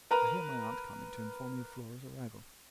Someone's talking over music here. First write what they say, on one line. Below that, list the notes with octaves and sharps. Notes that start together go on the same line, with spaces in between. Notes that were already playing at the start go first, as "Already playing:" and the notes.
I hear my aunt coming to inform me of Flora's arrival.
A#4 B4 A#5